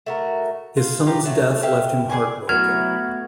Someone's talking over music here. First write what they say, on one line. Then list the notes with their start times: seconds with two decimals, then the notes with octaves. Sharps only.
His son's death left him heartbroken.
0.06 A3 F#4 A#4
0.77 F4
1.07 F4 G4 A#4
1.25 F#3 A3 A4
1.63 G4 E5 F5
2.10 G#4 C5 D5 G#5
2.49 F#3 A3 B3 E4 F#4 F6 G#6